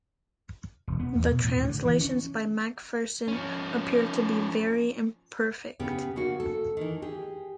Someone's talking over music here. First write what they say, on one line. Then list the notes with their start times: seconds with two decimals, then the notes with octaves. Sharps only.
The translations by Macpherson appear to be very imperfect.
0.88 E1
1.00 B3
1.15 E2
1.31 B2
1.44 A2
1.57 D2
1.69 D3
1.85 E3
2.01 C#4
3.28 F3 C#4
5.80 C#3 B3 G4
6.16 C#3 A#3 F#4
6.40 A4
6.77 D#3 E3
7.02 G4 G#4